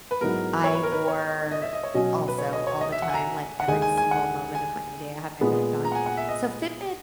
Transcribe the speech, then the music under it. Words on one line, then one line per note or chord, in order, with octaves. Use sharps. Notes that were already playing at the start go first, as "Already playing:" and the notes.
I wore, also, all the time, like every single moment of my day, I had my Fitbit on. So, Fitbit
B4
G#2 F#3 B3 E4 A#4
C#5
B4
A#4
B4
C#5
D#5
E5
D#5
C#5
B2 F#3 C#4 F#4 D#5
B4
C#5
D#5
C#5
D#5
E5
F#5
G#5
A#5
F#5
D#2 D#3 G#3 D#4 G#5
G#5
G#5
F#5
G#5
A#2 G#3 B3
A#5
F#5
G#5
F#5
E5
D#5